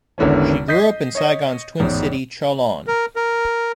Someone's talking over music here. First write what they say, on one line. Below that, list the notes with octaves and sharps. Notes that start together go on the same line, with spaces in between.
She grew up in Saigon's twin city, Cholon.
G#1 E2 D3 E3 C#4
D#5 G6 B6 C7
C#5 D#5
A1 E2 G#2
A#4
A#4